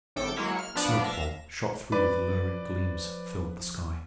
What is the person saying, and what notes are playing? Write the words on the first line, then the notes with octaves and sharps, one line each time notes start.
A smoke pall, shot through with lurid gleams, filled the sky.
G#1 A2 A4 G5 D6 E6
F#3 G#3 A#3 E4 C#5
F6
F3 B3 D4 D5
E5 F5 A#6
F3 B4 D5